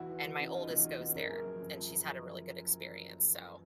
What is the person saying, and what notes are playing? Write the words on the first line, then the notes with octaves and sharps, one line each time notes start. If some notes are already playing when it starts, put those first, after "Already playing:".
and my oldest goes there and she's had a really good experience, so
Already playing: E2 E4 F#4
E3
E3
C#3
E3 D#4 F4
E2
C#3
E2
F#1 A#4
F#2 G#4 A#4
F3
F#2
F3
F3